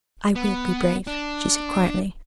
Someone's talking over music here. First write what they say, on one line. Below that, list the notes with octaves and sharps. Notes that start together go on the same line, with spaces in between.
"I will be brave," she said quietly.
B3
D4